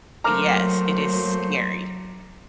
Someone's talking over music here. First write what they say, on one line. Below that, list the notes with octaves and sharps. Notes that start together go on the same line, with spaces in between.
Yes, it is scary.
F#3 A3 A#3 C5 A#5 D6 F6